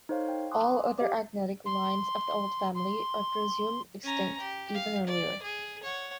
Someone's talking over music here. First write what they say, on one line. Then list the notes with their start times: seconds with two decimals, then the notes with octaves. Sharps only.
All other agnatic lines of the old family are presumed extinct even earlier.
0.09 D#4 A4 C5 C#5 F5
0.29 G5
0.51 G#5 C6 D6 D#6 F#6
0.98 G4 D#5 F5 D6
1.65 C6
2.75 C6
4.03 C#4 A#5
4.40 G4
4.74 F5
5.07 D5
5.42 G#4
5.83 C#5 F#5